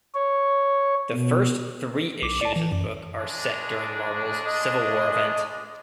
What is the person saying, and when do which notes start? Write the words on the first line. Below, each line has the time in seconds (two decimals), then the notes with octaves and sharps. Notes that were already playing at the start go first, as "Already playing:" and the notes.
The first three issues of the book are set during Marvel's "Civil War" event.
0.15 C#5
1.14 B2
2.22 B1 D6
2.41 D5 A5
2.56 E3
2.72 F#2
3.17 C#2 G#3 D4
4.47 D#5